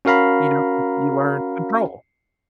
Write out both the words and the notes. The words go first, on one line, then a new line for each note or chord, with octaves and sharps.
You know that you are in control.
C#4 F#4 A#4 F5 A#5 B5